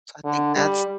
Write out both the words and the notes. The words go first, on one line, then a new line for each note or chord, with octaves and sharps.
So, I think that's,
D3
G3